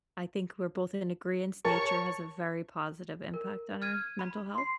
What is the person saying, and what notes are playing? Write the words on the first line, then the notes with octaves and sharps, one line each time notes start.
I think we're both in agreeance, nature has a very positive impact on our mental health,
A#4 C#5 A5 C#6
A#4
F6 G#6 D#7
B5
C6 C7